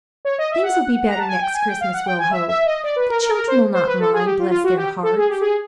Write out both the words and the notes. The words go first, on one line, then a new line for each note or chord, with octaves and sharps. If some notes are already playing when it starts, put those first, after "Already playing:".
Things will be better next Christmas, we'll hope. The children will not mind, bless their hearts.
C#5
D#5
E5
F#5
A#5
A5
G#5
G5
G#5
G5
F5
F#5
G5
G#5
E5
E5
D#5
D5
B4
A#4
A#4
A#4
C5
C5
B4
A4
G#4
G4
F4
F4
F#4
G4
A4
G#4
G4
G#4